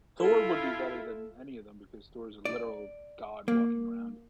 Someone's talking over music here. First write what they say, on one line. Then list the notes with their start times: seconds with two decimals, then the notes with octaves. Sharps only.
Thor would be better than any of them because Thor's a literal god walking around.
0.20 E4 F4 A4
2.45 D5
3.48 A#3